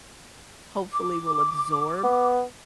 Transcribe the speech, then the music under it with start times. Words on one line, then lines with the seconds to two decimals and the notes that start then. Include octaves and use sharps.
hopefully will absorb
0.93 D6
2.03 B3